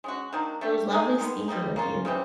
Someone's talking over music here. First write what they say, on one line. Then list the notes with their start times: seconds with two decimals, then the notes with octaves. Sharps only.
Well, it was lovely speaking with you.
0.04 G#3 C#4 F#4
0.33 D#3 F#3 A#3 D4
0.61 A3 D4 G4
0.90 G3 A#3 D#4 G#4
1.19 D#3 G#3 B3
1.48 B2 G3 A#3 D#4
1.76 A#3 C#4 F4
2.05 C#3 E3 G3 C4